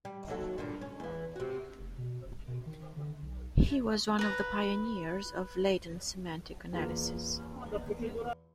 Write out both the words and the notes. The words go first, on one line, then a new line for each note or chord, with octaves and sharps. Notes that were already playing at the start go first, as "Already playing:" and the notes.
He was one of the pioneers of Latent semantic analysis.
G3
D#2 F#3 A4
G2 A#2 D3
C#4
E2 E3
C3 F#4
F1
B2
D#1
B2
D#3
D3
B1
G#1
B4 A#5
E2 A#3 F4 G#4